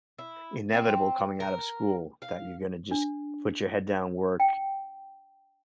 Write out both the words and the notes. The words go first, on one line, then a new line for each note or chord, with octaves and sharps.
inevitable coming out of school that you're gonna just put your head down, work,
E4
C4
A#4
F5
D4
G5